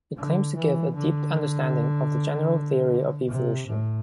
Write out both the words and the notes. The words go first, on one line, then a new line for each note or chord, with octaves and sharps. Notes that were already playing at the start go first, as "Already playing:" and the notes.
It claims to give a deep understanding of the general theory of evolution.
D3
E3
D3
C3
A2